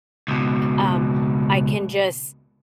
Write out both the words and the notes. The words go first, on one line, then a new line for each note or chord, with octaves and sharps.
um, I can just
C#2 B2